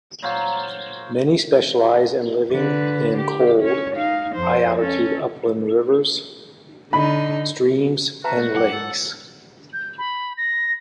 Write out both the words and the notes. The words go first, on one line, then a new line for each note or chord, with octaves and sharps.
Many specialise in living in cold, high-altitude upland rivers, streams, and lakes.
A#2 F#3 F4 C5
D3 B4
G4
C#4 C#5
D#4 F5
F2 C5
C#4 A4
D3 D#4 B5
F#4 B4 E5 A5 A#5
A3
F#2 G4 F#5
G#2 A4
G6
B5
A#6